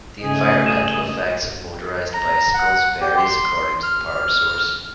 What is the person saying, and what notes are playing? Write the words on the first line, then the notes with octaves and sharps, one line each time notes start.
The environmental effects of motorized bicycles varies according to the power source.
C#3 A3 G#4 D#5
C#2 D#7 E7
A#5
F#5
G4
C6
F6